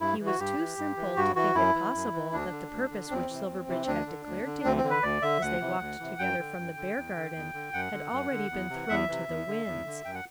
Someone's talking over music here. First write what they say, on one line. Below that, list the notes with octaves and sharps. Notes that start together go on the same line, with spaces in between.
He was too simple to think it possible that the purpose which Silverbridge had declared to him as they walked together from the Beargarden had already been thrown to the winds.
G2 E4
E3
F#4
G2 G4
E3
G2
E3
G2 F#4
E3 F#4
F#2 E4
E3
F#2
E3
D2 D4
D3
D2
D3
E2 C4
C3 E3
E2
C3 E3
D2 D4
D3
D2
D3
D2 C4
C4
D3
B4
D2 D5
D3 E5
D2 F#5
C3 E3
D2
C3 E3
F#2 G5
D3
F#2
D3
E2
D3
E2
D3
F#2 F#5
D3
F#2
D3
E2
C3 E3
E2 E5
C3 E3
E2
D3
E2
D3
F#2 G5
F#5